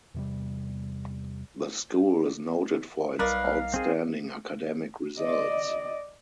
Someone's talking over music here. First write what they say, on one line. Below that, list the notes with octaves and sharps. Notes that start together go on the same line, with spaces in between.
The school is noted for its outstanding academic results.
E2 C3 G3
B1 G3 D#4 A#4 B4 D5 F5
C4 G#4
D5 D#5